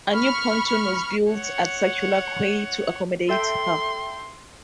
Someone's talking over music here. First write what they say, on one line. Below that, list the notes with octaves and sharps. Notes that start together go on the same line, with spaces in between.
A new pontoon was built at Circular Quay to accommodate her.
B5 C#6 F6
C#5 F#5
A4 E5 G5 C6